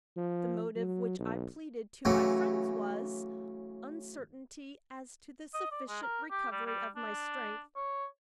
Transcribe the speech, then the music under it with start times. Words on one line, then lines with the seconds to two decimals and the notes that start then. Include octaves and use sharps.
The motive which I pleaded to my friends was--uncertainty as to the sufficient recovery of my strength.
0.17 F3
0.75 F#3
1.19 B1
2.05 A2 C#3 E3 F#3
5.54 D#5
5.71 D5
5.88 G#3
6.03 A#4
6.31 G4
6.52 G3
6.66 G3
6.96 D4
7.76 C#5